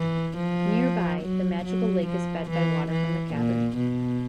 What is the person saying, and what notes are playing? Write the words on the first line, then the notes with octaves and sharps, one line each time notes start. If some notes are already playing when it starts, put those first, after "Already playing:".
Nearby the magical lake is fed by water from the cavern.
Already playing: E3
F3
F#3
F#3
F3
E3
E3
A#2
B2